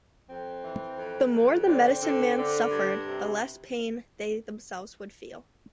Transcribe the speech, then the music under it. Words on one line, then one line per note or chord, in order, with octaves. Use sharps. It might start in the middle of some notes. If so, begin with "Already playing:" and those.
The more the medicine men suffered, the less pain they themselves would feel.
F2 C4
E3
F2
F2
D3 C4
D3
D3
G2
C3